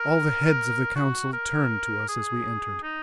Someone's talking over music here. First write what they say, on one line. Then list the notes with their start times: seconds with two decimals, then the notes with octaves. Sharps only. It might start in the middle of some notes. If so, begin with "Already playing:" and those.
All the heads of the Council turned to us as we entered.
Already playing: A#4
0.96 F#4
1.33 A#4
2.08 G#4
2.83 D#4